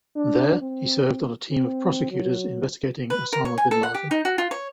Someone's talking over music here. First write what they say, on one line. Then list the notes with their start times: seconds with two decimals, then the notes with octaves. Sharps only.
There, he served on a team of prosecutors investigating Osama bin Laden.
0.16 D4
0.61 C4
1.51 C4
2.11 F#3
3.10 B4
3.33 A#4
3.45 C#5
3.58 G#5
3.71 A4
3.83 F#5
3.94 G4
4.11 D#4
4.25 F#4
4.38 F4
4.51 C#5